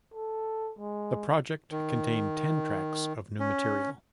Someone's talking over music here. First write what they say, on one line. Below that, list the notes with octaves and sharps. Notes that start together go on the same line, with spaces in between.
The project contained ten tracks of new material.
A4
G#3
D#3
C#4